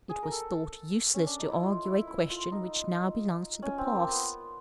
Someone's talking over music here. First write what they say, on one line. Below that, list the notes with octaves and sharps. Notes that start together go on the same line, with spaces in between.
It was thought useless to argue a question which now belongs to the past.
G#4
A#4
A4
C#4
D4
D#4
E4
F4
E4
E4
F4
D#4
C#4
C4
A#3
B3